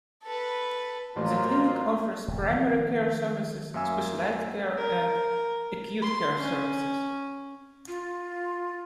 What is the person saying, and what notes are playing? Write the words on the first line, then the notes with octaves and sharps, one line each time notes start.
The clinic offers primary care services, specialized care, and acute care services.
A4 B4
A1 F#3 A#3 F4 C5
E1 A2
D#3 F3
F#2 A#3 E5 G#5 E6
A#4
C6
C#4
F4